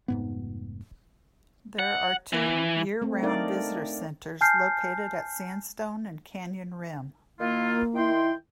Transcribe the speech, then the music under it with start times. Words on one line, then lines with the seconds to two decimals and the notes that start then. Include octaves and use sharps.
There are two year-round visitor centers located at Sandstone and Canyon Rim.
0.08 F1 G#2 B3
1.79 F#5
2.33 E3
3.02 A3 C4
3.23 D4 D#4 A#4 D5 F5
4.41 G#5 A5 F6 G6 C7
7.40 D#3 A#3 E4 F4
7.95 D#3 E4 G5 C6